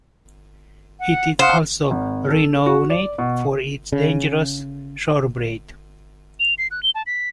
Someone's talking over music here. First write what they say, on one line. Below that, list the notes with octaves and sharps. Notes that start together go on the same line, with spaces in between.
It is also renowned for its dangerous shorebreak.
F#5
C5 F5 F#5 D#6
G#1
A4
F#4
D5
B2
C#3
F7
C7
F#6
G7
A5
B6